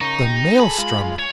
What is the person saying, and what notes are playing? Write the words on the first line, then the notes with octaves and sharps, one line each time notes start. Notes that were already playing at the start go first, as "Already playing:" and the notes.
The Maelstrom!
C#3 D#4 A#4 C#6
G4
G#4 A4 B5
G#3 F4
C#5